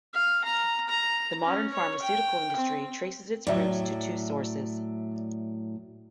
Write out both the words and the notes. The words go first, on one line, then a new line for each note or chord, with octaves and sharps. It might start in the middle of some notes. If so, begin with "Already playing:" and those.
The modern pharmaceutical industry traces its roots to two sources.
F5
A#5
A#5
C#4
C#5
G5
C4
A2 F#3 D5 E5